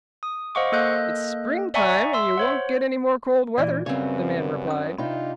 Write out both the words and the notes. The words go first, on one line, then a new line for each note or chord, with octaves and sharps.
"It's springtime, and you won't get any more cold weather," the man replied.
D#6
C5 D#5 F5 F#5 C#6 D6
A#3 A4 D#5 F#6 G6
D5 E5 F#5 G#5 A#5 C#6
E5 C6 E6
C5 C#5 F#5
A#2 E3 D5
F#2 C#3 G3 B3 C4 C#5
C#4 D#6
C3 D4 D#4 F4 B5